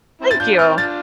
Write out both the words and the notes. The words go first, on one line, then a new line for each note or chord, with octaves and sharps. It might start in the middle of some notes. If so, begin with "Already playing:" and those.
Thank you!
C4 E4
A6
D4 F4 G6
C4 E4 F6
D4 F4 A6